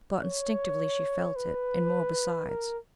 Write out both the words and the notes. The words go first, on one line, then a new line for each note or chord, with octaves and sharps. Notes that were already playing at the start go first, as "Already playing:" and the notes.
But instinctively she felt it; and more besides.
C#5
B4
A#4